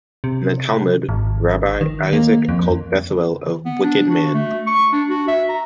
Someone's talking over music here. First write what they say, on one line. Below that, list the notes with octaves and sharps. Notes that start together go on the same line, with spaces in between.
In the Talmud, Rabbi Isaac called Bethuel a wicked man.
C3
G#1
D#3
A#3
F2
B3
D4
F#4
A3
C#6
D4
F#4
E5
A#5